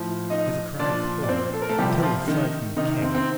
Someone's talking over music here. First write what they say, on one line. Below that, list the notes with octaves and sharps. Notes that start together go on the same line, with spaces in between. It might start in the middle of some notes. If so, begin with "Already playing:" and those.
With a cry of horror Attila fled from the cave.
Already playing: A2 F3
D#4 D#5
A#2 F3 D4 D5
D5
C4 C5
A4
A#4
A3 A4
C3 F3 G3 G4
F3 F4
D#3 D#4
C3 D#3 D#4
C4
C4